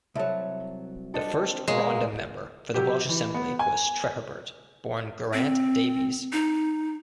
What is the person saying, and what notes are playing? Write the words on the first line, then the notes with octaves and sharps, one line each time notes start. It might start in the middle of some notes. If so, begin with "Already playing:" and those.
The first Rhondda member for the Welsh Assembly was Treherbert born Geraint Davies.
C2 F#3 A4 E5
C4 D4 A4 D#5
G#3 A#3 C#5
C3 F#3 G4
E3
B3
G#5
C4
D#4